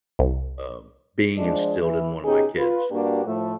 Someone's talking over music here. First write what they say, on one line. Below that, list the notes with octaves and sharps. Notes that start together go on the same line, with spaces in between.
um, being instilled in one of my kids.
C2
F3 G#3 D4
E3
B2 C#4 D#4 G4 G#4
F4 B4
G2 A#3 D4 F#4 G4
A2 F3 A3